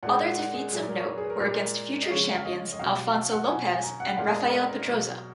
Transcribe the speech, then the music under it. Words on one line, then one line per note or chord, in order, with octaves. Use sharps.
Other defeats of note were against future champions Alfonso Lopez and Rafael Pedroza.
A#2 G#3 F#5
F#5
F#5
G#4
A#2 F#3 G#4
A#4
C#5
B4
G#4
B4
A#4
A#2 G#3 A#4
D#5
C#3 F3 G#3 C#5
F5
D#5
D#5
B2 F#3 F5
F5
F#5
F#5
B2 F#3 G#5
G#5
A#5
F#5
A#2 G#3 F5
D#5
A#4
B4
A#4
B2 F#3